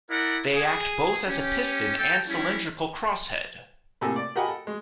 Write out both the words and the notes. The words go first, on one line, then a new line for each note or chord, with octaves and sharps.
They act both as a piston and cylindrical crosshead.
E4 A#4 D5 F#5
G#4
C#4 G4
A4 G5
G3 C#4 E4
A2 C3 A#3 A4 G#5 E6
D5
G4 A#4 D#5 F#5 G#5 B5
A4
G#3